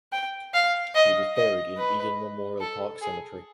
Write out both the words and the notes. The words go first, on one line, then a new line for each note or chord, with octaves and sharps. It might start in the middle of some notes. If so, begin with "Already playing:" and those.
He was buried in Eden Memorial Park Cemetery.
G5
F5
D#5
D#5
B4
A4
G#4